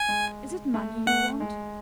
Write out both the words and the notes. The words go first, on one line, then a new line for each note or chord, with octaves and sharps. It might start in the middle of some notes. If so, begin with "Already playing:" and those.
Is it money you want?
Already playing: G#5
G#3
A3
A3 F#5
G#3